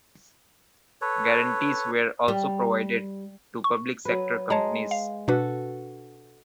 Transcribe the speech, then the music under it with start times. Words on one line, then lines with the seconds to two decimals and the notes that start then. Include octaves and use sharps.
Guarantees were also provided to public-sector companies.
1.01 A4 B4 C#5
2.28 G3
3.64 C#6
4.05 F#3 B4
4.50 G#3 C#5 A5 A#5
4.91 F5
5.28 B2 D4 F#4 A4 B4